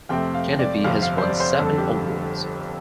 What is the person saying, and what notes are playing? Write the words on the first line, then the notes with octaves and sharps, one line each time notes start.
Geneve has won seven awards.
F2 C3 A3 C4 G5
F5
D5
G1 F2 C3 G3 C4 F5
F5
C5
D5
C5
G1 F2 D3 A4
G4